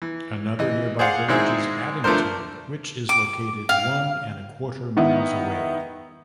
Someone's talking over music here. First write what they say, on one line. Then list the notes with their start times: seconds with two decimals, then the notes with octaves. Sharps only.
Another nearby village is Addington, which is located one and a quarter miles away.
0.02 E3
0.59 E3 D#5
0.99 G#4 C5 D5 F5 F#5
1.28 G#2 D#3 G#3 C4 E4 G#4
2.04 F3 A3 B3 D4 A#4 C5
3.09 D6
3.69 F5
4.97 D#3 B3 E4